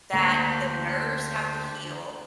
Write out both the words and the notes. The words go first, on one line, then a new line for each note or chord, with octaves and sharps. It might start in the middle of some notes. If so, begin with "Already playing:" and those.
that the nerves have to heal
D2 D3 A#3 D4 G4 C5